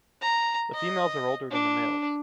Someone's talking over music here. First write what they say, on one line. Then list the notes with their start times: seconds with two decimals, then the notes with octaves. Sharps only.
The females are older than the males.
0.22 A#5
0.75 D#5
1.51 D4